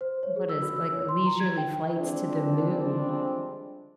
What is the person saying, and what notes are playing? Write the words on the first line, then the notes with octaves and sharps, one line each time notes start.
what is like, leisurely flights to the Moon
C5
C#5
G#4
E6
F#4
E6
C#5
C6
A#5
G#6
G5
F3 G3 G#3 C4 D4